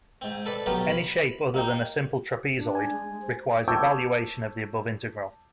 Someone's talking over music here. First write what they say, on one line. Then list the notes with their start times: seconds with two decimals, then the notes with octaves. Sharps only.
Any shape other than a simple trapezoid requires evaluation of the above integral.
0.21 G#2 C4
0.46 A4 B4 D5
0.66 B1 F#3 B3 G4 A#4
0.89 B5
1.54 A#3 D#4 G5
2.57 D4
2.75 G#5
2.92 G#3
3.10 G#3
3.22 C5
3.68 A5 C#6 D6 E6 G6 G#6